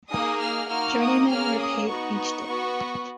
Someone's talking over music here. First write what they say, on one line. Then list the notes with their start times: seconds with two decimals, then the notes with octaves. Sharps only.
Journeymen were paid each day.
0.11 A#3 D#4 G#4 D#6
0.40 F6
0.69 A#3 D#4 F#4 F6
1.00 D#6
1.28 A#3 C#4 G#4 F6
1.58 D#6
1.88 B3 D#4 F#4 C#6
2.18 C#6
2.47 B3 F#4